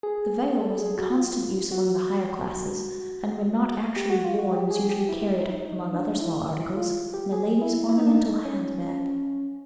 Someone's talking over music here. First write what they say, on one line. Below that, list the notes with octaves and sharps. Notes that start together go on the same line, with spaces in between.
The veil was in constant use among the higher classes, and when not actually worn was usually carried, among other small articles, in a lady's ornamental hand-bag.
G#4
A4
G#4
F#4
F4
F#4
G4
F#4
F4
F#4
G4
G#4
G4
E4
D#4
E4
D#4
D#4
D4
E4
F4
G4
G#4
E4
E4
D#4
D4
D#4
C#4